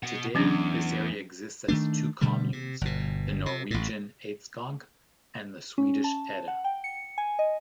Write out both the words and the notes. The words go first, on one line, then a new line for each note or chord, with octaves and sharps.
Today, this area exists as two communes: the Norwegian Eidskog and the Swedish Eda.
B2 F#5
E2 F#3 C#4 D4
D#3 A3 D4
B2 D3 G3 A3
C3
G1 B2
C3
A1 A2
C#4
A5
F#5
G5
C#7
G#5
D#5